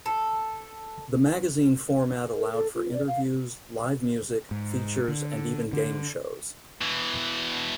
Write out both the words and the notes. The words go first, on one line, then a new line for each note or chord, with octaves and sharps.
The magazine format allowed for interviews, live music, features and even game shows.
A4
A#4
A4
F4
D5
F5
G#2
D3
D3
B2 E3